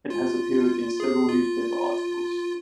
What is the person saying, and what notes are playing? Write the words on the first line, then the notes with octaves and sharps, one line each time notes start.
It has appeared in several newspaper articles.
F4
G#4
F4